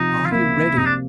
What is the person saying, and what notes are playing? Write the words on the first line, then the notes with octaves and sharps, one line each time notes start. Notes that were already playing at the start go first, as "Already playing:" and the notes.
Are you ready?
Already playing: C3 F3 D#4
F4
A#3 E4
C3 D#4
D4